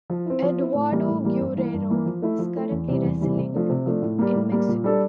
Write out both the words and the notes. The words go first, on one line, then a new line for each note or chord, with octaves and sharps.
Eduardo Guerrero is currently wrestling in Mexico.
F3
C4 E4
F3
C4 E4
A2
E3 G3 A#3
A2
E3 G3 A#3
G2
E3 A#3
G2
E3 A#3
F3
A3 E4
F3
A3 E4
E2
C3 E3 G3
E2
C3 E3 G3
C3
F3 A3 D4
C3
F3 A3 D4
A2
G3 A#3
A2
G3 A#3
A#2
G3 D4 A4